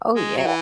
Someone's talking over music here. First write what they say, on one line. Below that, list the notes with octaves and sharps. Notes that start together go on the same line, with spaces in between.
Oh, yeah.
G#3
F#3
E3